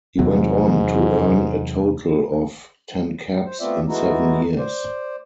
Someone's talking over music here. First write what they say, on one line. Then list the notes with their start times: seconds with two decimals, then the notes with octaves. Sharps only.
He went on to earn a total of ten caps, in seven years.
0.19 E2 G#2 C3 F#3
3.45 C5
3.60 A3 B3 C4 F4 D5 E5
3.88 G#3 A3 B3 D#4 E4 F#4
4.58 C5 D5